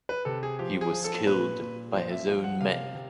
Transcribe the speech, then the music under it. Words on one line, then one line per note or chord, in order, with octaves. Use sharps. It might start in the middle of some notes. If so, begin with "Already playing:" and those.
He was killed by his own men.
B4
C3 A4
G#4
F3 G4
G#4
F3
A4
A#2 B4
A#2
F3 C5
E5
F3 F5
F#5
C3 F5
C3